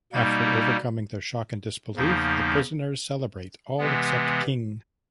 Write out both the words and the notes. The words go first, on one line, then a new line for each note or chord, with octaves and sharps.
After overcoming their shock and disbelief, the prisoners celebrate - all except King.
B2 G3 A#3 D#4
E2 C#3 F3 A#3 D#4
C3 E3 G#3 B3